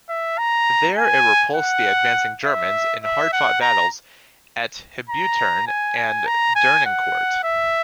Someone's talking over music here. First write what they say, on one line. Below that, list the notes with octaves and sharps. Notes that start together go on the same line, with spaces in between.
There it repulsed the advancing Germans in hard fought battles at Hebuterne and Dernancourt.
E5
A#5
G#5
F#5
E5
E5
F#5
A#5
A#5
G#5
G#5
A#5
G#5
F#5
E5